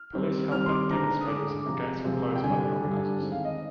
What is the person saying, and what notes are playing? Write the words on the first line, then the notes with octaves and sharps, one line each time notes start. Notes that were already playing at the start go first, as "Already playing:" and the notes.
Police held back demonstrators and the gates were closed by the organisers.
Already playing: F6
D#3 G3 C4
D#3 G3 C4 F6
C6
D6
D3 G#3 D4 A#5
D#6
D3 G#3 D4 D6
D6
C3 F3 G#3 A#5
C3 F3 G#3
G5
D3 G3 D4 G#5
D3 G3 D4
D#3 G#3 C4
F5
D#5